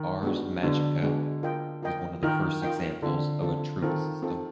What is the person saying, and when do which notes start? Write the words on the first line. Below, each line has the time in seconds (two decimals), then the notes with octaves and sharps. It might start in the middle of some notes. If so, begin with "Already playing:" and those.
"Ars Magica" was one of the first examples of a Troupe system.
Already playing: D#3
0.23 G#3 B3 D4 F#4
0.63 D3 G#3 B3 D4 F#4
1.03 G#3 B3 D4 F#4
1.43 F4 A#4 D#5 G5
1.83 F4 A#4 D#5 G5
2.23 D#3 F4 A#4 D#5 G5
2.62 F4 A#4 D#5 G5
3.02 D3 C4 F4 A4
3.42 C4 F4 A4
3.82 D#3 C4 F4 A4
4.22 C4 F4 A4